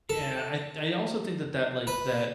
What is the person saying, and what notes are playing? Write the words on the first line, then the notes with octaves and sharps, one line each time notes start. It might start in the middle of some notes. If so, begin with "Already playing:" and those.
Yeah, I th I also think that, like, that,
A4
B4